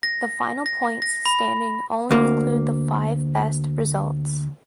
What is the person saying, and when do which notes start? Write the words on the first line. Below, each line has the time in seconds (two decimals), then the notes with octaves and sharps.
The final points standings only include the five best results.
0.03 A#6
0.66 A#6
1.02 A#6
1.26 B5
2.11 D2 A#3